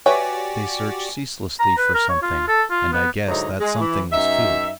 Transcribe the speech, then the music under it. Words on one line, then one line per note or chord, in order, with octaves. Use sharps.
They searched ceaselessly for something, and I guessed that something was food.
F#4 G4 B4 C#5 D5 E5 G5 G#5
A#5
B4
A#4
C#5
F4
A4
F4
B3
G#2 D3 F#3 D#4 E4
G#3
E3
F#2 D#4 E5